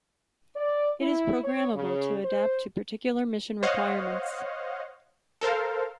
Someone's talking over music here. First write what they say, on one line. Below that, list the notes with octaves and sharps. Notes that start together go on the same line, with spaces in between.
It is programmable to adapt to particular mission requirements.
D5
E4
C#5
C#3
C5
C5 C#5 D#5 F5 F#5
A4 A#4 C5 F5